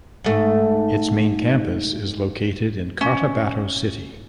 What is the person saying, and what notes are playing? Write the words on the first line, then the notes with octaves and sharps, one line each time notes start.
Its main campus is located in Cotabato City.
G#2 A3
C#4